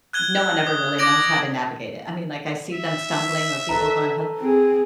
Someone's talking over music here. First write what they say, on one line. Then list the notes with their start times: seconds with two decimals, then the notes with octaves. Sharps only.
No one ever really knows how to navigate it. I mean, like, I see them stumbling or people going ho
0.13 F#6 G#6 G7
0.67 D#6
0.99 D6 G#6 A#6 D7 F#7
2.74 E5
3.69 A4 B4 A#5
4.39 C4 G#4